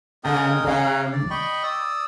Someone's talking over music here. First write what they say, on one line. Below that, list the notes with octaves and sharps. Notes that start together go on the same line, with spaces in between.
and, um
G#3 A#4 G5 D#6
C#5 F5 A#5
D5
D#5 G5 B5 C#6
D5 D#6 E6